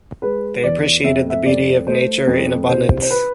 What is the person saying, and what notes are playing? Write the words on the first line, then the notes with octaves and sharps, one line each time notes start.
They appreciated the beauty of nature in abundance.
G#3 B4
E2 D5
F2 E5
E5
F2 D5
A3 C5
F2
C2 C5
C5
B4